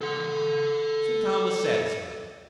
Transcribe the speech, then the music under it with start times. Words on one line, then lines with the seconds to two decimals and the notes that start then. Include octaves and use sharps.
So Tom was satisfied.
0.01 A4 F#5